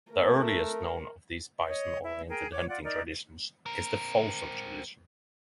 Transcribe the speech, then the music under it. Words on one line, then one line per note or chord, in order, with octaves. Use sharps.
The earliest known of these bison-oriented hunting traditions is the Folsom tradition.
A3 A#4
C#5 D#5
E4 E5
G#4 A#4 G5
C#5 D6
F4 D5 F#5
D#4 A#4 D5
C4 A#4